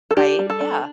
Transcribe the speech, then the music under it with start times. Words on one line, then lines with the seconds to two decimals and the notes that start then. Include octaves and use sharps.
Right, yeah.
0.11 A4
0.17 D4 G4
0.39 G3
0.50 A4
0.61 D4